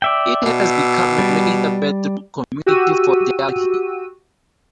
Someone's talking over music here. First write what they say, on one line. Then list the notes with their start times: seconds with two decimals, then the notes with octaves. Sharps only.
It has become a major bedroom community for Delhi.
0.02 D5 E5 G5
0.46 B2
1.18 G3
2.66 F#4 G4 E6 D#7